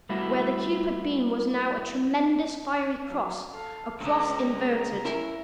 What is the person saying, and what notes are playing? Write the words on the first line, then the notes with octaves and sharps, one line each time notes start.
Where the cube had been was now a tremendous, fiery cross--a cross inverted.
G3 A3 B3 E4 F#4
F#3 F5
A4 F5
C#2 G2 A#5
C#4 E4 A#4